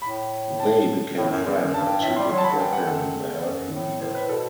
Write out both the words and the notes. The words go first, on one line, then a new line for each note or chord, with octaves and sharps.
They became friends and she did give him the help he needed.
A2 B5
A5
A2
F#2
E2
F#2
G2 A5
G5
A2 E5
G3 C6
F#3 C6
A5
B5
D3
E3 G5
F#5
F#2 A4
E2
E2
F#2
A2
A2 C5
B4
B2 A4